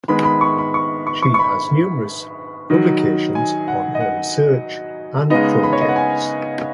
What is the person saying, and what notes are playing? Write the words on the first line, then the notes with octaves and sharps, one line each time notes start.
She has numerous publications on her research and projects.
D#3 G#3 B3 B5
B5
C#6
B5
C#6
C#6
C#6
C#6
B5
D#3 F#3 D#4
G#5
F#5
D#5
F#5
C#3 G#3 B3 D#4 D#5
B5
C#5
D#5
F#5
G#5